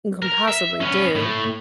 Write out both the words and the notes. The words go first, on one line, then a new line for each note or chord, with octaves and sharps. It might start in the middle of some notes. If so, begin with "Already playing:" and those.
can possibly do,
A#4
E5
B3 C#4
A2